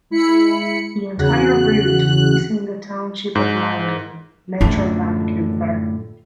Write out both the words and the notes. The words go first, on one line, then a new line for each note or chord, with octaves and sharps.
The entire route is in the Township of Langley, Metro Vancouver.
G#3 E4 B5 C#7
E2 C#3 F#4 F#6
G#2
F#2 A2 D3 F4